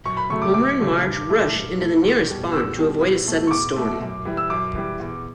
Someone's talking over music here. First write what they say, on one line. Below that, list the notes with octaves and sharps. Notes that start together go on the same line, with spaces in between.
Homer and Marge rush into the nearest barn to avoid a sudden storm.
F#2 C#6
B5
C#3 F#3 A3 C#6
D6
F#2 D6
C#3 F#3 A3
G2
E3 A3
G2
E3 A3
E2
B2 G3
E2 E6
B2 G3
E2
B2 A3
C#6
E2 D6
B2 A3
F#2
E3 G3
E6
F#2 D6
E3 G3
E2